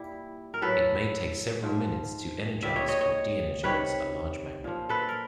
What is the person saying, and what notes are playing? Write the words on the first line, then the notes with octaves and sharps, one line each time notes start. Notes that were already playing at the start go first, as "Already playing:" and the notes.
It may take several minutes to energize or deenergize a large magnet.
Already playing: A#2 G3 E4
A#4
A2 F#3 A4 B4
G#2 F3
A#2 G3 D5 E5
C#5 D#5
C#5 D#5
C#5 D#5
C3 D#3 G3 B4 C#5
A#2 F3
A4 B4
A#4